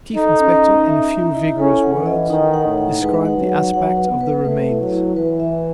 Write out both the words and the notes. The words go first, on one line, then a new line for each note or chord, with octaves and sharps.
The Chief Inspector in a few vigorous words described the aspect of the remains.
D#4 A4
C#4
C#4
E5
E5
E4
C#4 A4
F#5
E3
D#5
D#3 D#4
F#5
A2
D#4
G#3 B4
F#5
F#3
F#5
F#3 F#5
B4
B3
B4
A3 B4
E4
F#3
E4
E3 B4
E5